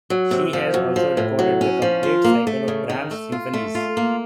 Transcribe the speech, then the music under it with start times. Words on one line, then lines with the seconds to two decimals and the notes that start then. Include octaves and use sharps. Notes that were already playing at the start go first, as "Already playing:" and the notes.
She has also recorded the complete cycle of Brahms' symphonies.
0.10 F#3
0.31 C3
0.53 F3
0.74 F#2
0.96 F3
1.17 A2
1.39 F#3
1.61 C#4
1.82 F3
2.03 F4
2.24 A#3
2.47 A3
2.68 C#3
2.90 D#3
3.11 A3
3.32 F4
3.54 A3
3.75 F4
3.97 A#3